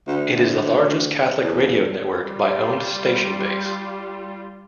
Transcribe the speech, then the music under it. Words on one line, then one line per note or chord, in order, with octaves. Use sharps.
It is the largest Catholic radio network by owned station base.
D2
D2
E2
G3 F4